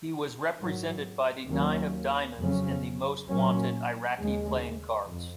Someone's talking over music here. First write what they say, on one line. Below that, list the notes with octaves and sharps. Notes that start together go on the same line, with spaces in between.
He was represented by the nine of diamonds in the Most-wanted Iraqi playing cards.
G#2 D#3 F#3
D#2 D#3 F#3 A#3 C#4
F2 C#3 F#3 C#4
A#2 F#3 A#3 C#4
D#2 C#3 G#3
F2